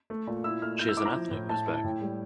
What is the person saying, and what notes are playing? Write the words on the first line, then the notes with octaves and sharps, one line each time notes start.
She is an ethnic Uzbek.
A3
A#2
E4 E6
A3 F6
E4 G6
E6
E4 D6
A#5
F3
A2
E4 A5
E4
A5
A2 G5
G3